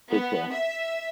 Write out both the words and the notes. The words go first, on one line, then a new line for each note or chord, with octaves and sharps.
Take care.
B3
E5